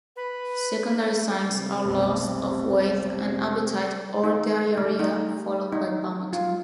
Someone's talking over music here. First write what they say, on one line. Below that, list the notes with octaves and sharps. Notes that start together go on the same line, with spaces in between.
Secondary signs are loss of weight and appetite or diarrhea followed by vomiting.
B4
C3
F1 B1
D#4
A3
D#4
D#4
F4